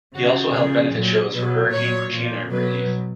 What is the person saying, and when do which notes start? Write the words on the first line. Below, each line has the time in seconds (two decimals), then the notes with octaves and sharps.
He also held benefit shows for Hurricane Katrina relief.
0.15 C#3 F3 F#4
0.54 C#3 G#4
0.60 F3
0.94 A#2 F#3
1.34 B2 F#3 B4
1.73 A#2 F#3 C#5
2.13 A#2 F3
2.51 B2 F#3 B4